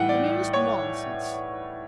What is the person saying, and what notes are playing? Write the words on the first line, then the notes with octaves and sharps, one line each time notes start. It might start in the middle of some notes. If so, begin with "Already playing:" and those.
'The merest nonsense.'
Already playing: A2 E3 G3 F#5 G5
D5
C#5